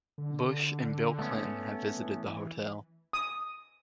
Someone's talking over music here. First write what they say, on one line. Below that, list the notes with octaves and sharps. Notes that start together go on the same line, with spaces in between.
Bush, and Bill Clinton have visited the hotel.
D3
A3 B3 C#4
E3
D#6